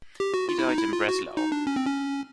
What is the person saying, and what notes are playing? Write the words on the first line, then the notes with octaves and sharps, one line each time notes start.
He died in Breslau.
G4
F#4
F4
E4
D#4
E4
F4
F#4
D#4
D4
C#4
C4
C#4